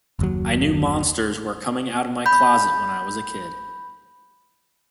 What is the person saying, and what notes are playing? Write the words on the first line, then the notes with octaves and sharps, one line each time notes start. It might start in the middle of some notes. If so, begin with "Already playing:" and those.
I knew monsters were coming out of my closet when I was a kid.
F#1 D#2 F#3
B5 G6